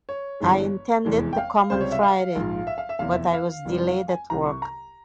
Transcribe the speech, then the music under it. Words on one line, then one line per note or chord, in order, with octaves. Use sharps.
I intended to come on Friday, but I was delayed at work.
C#5
G1 G2 E3 G#3
F1 E2 E3 G#3
G5
F5
C#2 C3 G3 C5
C#5
E5
F5
A#1 G#2 F3
E5
F5
E5
F1 E2 E3 F5
E5
F5
F1 F2 E3 G3
G#5
C2 C3 E3 A#5
C#6
A#5